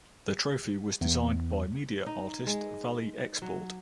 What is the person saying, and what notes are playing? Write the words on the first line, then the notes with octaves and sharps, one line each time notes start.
The trophy was designed by media artist Valie Export.
E2
D#4
G#3
F#3